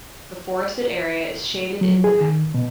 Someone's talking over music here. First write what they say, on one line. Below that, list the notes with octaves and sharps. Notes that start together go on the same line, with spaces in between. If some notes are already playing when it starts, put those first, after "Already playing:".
The forested area is shaded in the map.
F#3
G#4
D#3
B2